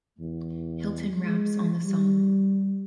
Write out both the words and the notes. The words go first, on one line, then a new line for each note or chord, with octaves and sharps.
Hilton raps on the song.
E2
G#3
G3